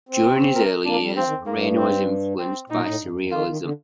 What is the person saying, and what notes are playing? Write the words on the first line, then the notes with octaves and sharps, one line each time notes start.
During his early years, Rainer was influenced by Surrealism.
C4
A#4
A#3 D4
G3
F3 C4
D#3
F2
G2 A#3
C4
C4
A#2 D#4
A2
G2
F2
F2
D#3 F4
D#3
D3